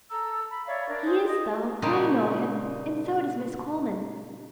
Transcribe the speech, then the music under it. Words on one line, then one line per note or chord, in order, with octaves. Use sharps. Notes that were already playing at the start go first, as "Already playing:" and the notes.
"He is, though; and I know him, and so does Miss Coleman."
A4 A#5 E6
B5
C#5 D5 E5 F5
D4 A#4 D5
G#4 C5
D#5 D#6
A#2 C#3 G3 D4 D#4 F4